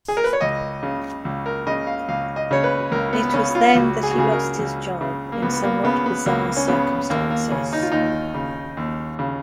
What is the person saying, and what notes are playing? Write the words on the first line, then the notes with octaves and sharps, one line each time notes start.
It was then that he lost his job in somewhat bizarre circumstances.
G#4
A#4
B4
C#5
C#2 D#5
C#3
C#2
A#4
C#3 D#5
F5
C#2 F5
D#5
C#3 C#5
B4
C#2 A#4
B3
B3
C#3 C#4
F4
C#2 F#4
G#4
F#4
C#3 G#4
A#4
C#2
C#3
A#3
C#2 B3
B3
A#3
C#3 B3
B3
C#2 A#3
C#4
C#3 B3
D#2 A#3
A#3
C#3 C#4
D#4
F4
D#2 D#4
C#3
D#2
C#3